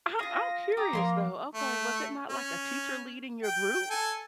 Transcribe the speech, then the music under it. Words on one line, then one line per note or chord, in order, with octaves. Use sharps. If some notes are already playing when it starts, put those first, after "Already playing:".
I'm I'm curious though, okay, was it not like a teacher leading your group?
F4 G#4 A#6
G4 A#5 D#6
F3 A#3 C#4 F5 C6
A3
C#4
G5
A4 G#5